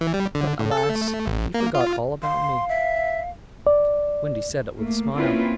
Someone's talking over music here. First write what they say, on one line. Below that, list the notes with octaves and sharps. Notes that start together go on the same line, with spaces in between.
"But, alas, he forgot all about me," Wendy said it with a smile.
E3
G3
D3
A2
A4
A3
A1
A#3
F4
F5 C6
E5
D5
A3 A#3
A#3 C4 C#4 E4 F4 B4